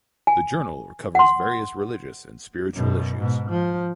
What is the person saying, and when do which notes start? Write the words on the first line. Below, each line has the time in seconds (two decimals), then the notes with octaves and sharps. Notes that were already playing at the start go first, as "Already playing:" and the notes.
The journal covers various religious and spiritual issues.
0.27 G#5
1.15 F#5 C6
2.74 F#2 B2
3.18 G#2 B2
3.49 F3